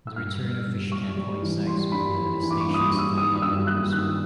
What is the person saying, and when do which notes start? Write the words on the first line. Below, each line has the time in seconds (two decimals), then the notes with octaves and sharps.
The return of FishCam coincides with the station's twentieth anniversary.
0.07 E6
0.16 G2 F6
0.42 G3
0.67 G2
0.92 G3 C#6
1.17 G3
1.42 E3
1.67 G3 C6
1.92 G2 B5
2.17 E3
2.42 E3
2.51 D6
2.60 C#6
2.68 G2
2.74 D#6
2.80 D6
2.93 G2
2.99 E6
3.17 D#3 D#6
3.36 D#6
3.42 G2 E6
3.67 G2 F#6
3.92 D#3 F#6